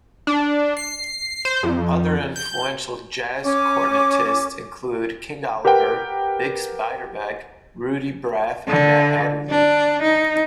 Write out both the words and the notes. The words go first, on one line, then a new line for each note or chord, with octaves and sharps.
Other influential jazz cornetists include King Oliver, Bix Beiderbecke, Ruby Braff and Nat Adderley.
D4
C7
C5
F2
G6
C#4 D6
G4 A#4 B4 F#5 G5
D3
D4
D#4